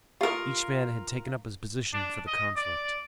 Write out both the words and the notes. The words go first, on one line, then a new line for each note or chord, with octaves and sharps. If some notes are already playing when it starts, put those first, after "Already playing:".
Each man had taken up his position for the conflict.
F4 G4 A4 A#4
D4
D#5
D5